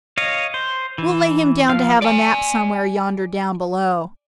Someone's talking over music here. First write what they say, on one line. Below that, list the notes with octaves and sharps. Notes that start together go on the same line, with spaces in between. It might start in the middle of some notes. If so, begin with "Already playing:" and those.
We'll lay him down to have a nap somewhere yonder down below.
C#5 D#5 F5
C5
E3
F3 F5 F6
D5 G#5